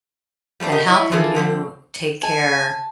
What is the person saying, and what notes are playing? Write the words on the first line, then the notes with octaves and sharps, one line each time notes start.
then how can you take care
G3 A3 C4 D4
G4 A#4 D#5
E4 C#5 D#5
E3 F3 D4 F4 G#4 A4
D3 F3 B3 C4
G#5 A5